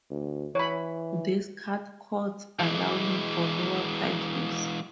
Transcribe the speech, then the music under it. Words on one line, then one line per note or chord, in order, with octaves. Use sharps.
This cut costs, allowing for lower prices.
D2
E3 C#5 B5
E3 G#3